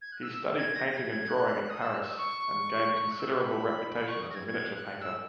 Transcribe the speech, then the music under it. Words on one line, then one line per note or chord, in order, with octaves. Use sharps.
He studied painting and drawing at Paris, and gained considerable reputation as a miniature-painter.
G#6
F#6
E6
G#6
A#6
G#6
G#6
F#6
D#6
E6
F#6
E6
D#6
C#6
F#6
E6
D#6
C#6
B5
B5
C#6
D#6
A#6
G#6
G#6
F#6
E6